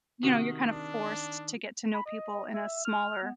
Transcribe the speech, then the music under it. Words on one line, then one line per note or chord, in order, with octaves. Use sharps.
you know, you're kinda forced t to get to know people in a smaller,
C3 D#3 F#4
D4
B5
D#5
E5
F6
B3